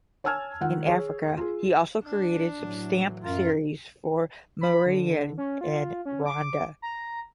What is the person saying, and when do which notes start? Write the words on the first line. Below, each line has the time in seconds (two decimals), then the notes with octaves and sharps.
In Africa, he also created some stamp series for Mauritania and Rwanda.
0.24 C#5 G#5 A5 E6 F6 G#6
0.61 D#3 F4 F#5
0.87 G#4 C#5
1.37 F4 G#4
2.04 D4
2.57 A2 E3 F#3
3.24 F#2 F4 A#4
4.61 B5
4.86 D3
5.38 C#4
5.61 F4
6.05 C#4
6.26 D6
6.82 A#5